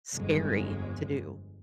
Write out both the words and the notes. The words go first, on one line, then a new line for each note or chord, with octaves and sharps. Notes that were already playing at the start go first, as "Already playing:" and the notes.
scary to do,
G1 F2 G#3